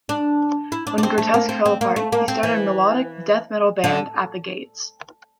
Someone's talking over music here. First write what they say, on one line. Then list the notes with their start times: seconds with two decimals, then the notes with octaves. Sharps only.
When Grotesque fell apart he started melodic death metal band At the Gates.
0.09 D4
0.72 E4
0.87 D4
0.98 D4
1.03 C4
1.18 A3
1.34 A#3
1.49 C4
1.66 C4
1.81 A#3
1.96 A3
2.12 A#3
2.28 C4
2.43 E3
3.84 D3